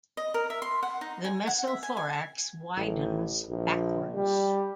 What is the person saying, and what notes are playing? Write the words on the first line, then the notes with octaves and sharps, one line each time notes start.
The mesothorax widens backwards.
D#5
A#4
E5
C6
F#5
D#4
G#5
F#5
E5
G#5
G#5
A1
A#1
G3